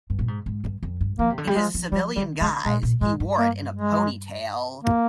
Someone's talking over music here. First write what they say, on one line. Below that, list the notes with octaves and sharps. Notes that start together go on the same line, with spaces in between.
In his civilian guise, he wore it in a ponytail.
G2
A#2
G#2
G#2
G2
F2
G2
F3 A#3
C3
D3
G3
F3 G#3
F3
F3 G3
D#3 G3
D3 G#3
A#2 G#3
A#2
G#2 G#3
G2
A#3
G#3
A#3